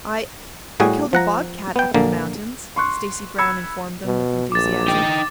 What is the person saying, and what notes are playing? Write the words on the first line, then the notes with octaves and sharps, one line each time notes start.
"I--I killed a bobcat up in the mountains," Stacy Brown informed them, with enthusiasm.
A2 G3 F#4 G#4 G#5
F3 F#5 A#5
B3 G5
A#1 D3 A#3
C6 C#6 F#6
B5 E6 G#6 C#7
B2
A#1 D6 A6
D#4 G5